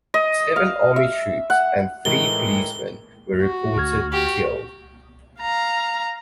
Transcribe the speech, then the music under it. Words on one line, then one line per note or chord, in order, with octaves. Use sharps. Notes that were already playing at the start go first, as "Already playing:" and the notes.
Seven army troops and three policemen were reported killed.
D#5
F5
E5
F#5
A2 D#3 E3 G#3 G7
F#4
D2 F6 G#6
F#4 G4
F5 A#5